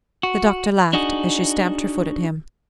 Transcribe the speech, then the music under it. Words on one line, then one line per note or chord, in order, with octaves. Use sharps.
The Doctor laughed, as she stamped her foot at him.
F#4
D4 D#4 F#4 G#4